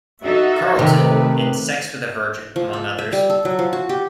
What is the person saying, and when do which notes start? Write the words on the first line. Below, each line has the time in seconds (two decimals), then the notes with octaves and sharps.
Carlton, and sex with a virgin, among others.
0.23 D#4 F#4 A4 E5
0.79 C3 D#3 A3 B4
2.56 F3
2.73 A4
2.98 E5
3.13 G3
3.30 A4
3.45 F#3
3.59 F3
3.73 F#4
3.89 G4